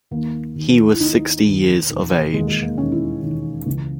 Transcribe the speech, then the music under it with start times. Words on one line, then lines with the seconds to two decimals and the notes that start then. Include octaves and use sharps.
He was sixty years of age.
0.11 D#2 D#3 A#3
0.55 D#2 D#3
0.93 E4
1.00 D#2 D#3 D#4
1.44 D#2 D#3
1.88 E1 D#2 D#3
2.33 E1 D#2 D#3 G#3
2.41 A#3
2.48 G#3
2.63 A#3
2.77 E1 D#2 D#3 C#4
2.92 E4
3.22 E1 D#2 D#3
3.66 C#2 C#3 E3